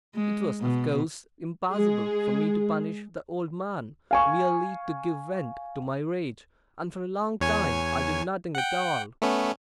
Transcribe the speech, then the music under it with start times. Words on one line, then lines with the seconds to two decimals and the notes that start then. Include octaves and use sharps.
It was, of course, impossible for me to punish the old man merely to give vent to my rage; and for a long time I did nothing at all.
0.15 G#3
0.61 B2
1.72 G#3 G#4
4.11 F5 G#5 C#6
7.41 E2 C#5 G#5
8.55 F#5 G5
9.22 A3 B3 C#4